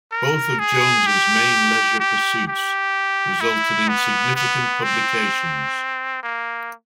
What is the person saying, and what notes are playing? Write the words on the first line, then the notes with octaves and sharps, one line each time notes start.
Both of Jones's main leisure pursuits resulted in significant publications.
A#4
G#4
G4
G4
G4
E4
B3
B3
C4
A#3